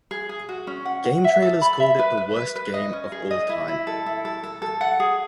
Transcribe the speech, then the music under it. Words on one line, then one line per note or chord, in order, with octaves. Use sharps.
GameTrailers called it the worst game of all time.
G#4
G#4
F#4
C#4
F#5
F#5
E5
A4
B5
E5
B4
B4
B4
B4
D#5
C#4
G#4
D#5
E4
E4
A4
E4
A4
A4
A4
F#5
G#4